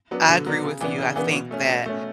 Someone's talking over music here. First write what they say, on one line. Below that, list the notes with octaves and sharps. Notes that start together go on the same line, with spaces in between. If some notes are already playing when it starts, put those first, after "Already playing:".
I agree with you, I think that
F#3 B3 D4
D3
F#3 B3 D4
C#3
E3 B3 D4
C#3
E3 B3 D4
B2
A3 C#4
B2
A3 C#4